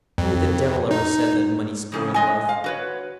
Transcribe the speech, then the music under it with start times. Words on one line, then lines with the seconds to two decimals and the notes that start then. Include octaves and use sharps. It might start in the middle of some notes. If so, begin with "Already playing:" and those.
Who the devil ever said that money spoiled life?
0.18 F2
0.91 D#4
1.92 F2 G#2 C#3
2.14 G#3 D#5 G#5
2.49 F5
2.64 F#4 B4 C#5